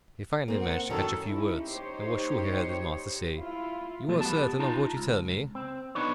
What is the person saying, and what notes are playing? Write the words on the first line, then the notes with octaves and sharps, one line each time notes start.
He finally managed to catch a few words, and was sure he heard his master say, "You are certain of what you tell me?"
A#3 C4
F#5
F#2 D#3 F#3 A4
C#4 D#4 E4
D#4 G4 C5 C#5
E4 F4
B1 E2 F3 F#3 A3
B3 G4 A5
D#4 F4 A5 A#5
C#2
C4
B3 D4 D#4 B4 C#5